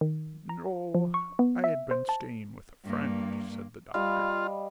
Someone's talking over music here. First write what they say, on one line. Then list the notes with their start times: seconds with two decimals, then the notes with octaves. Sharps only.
"No, I had been staying with a friend," said the doctor.
0.01 D#3
0.49 A#5
0.95 F3
1.14 C#6
1.39 B3
1.64 E5
1.91 C5
2.09 A5
2.85 G2 A#3
3.94 G3 F4 D#5 F5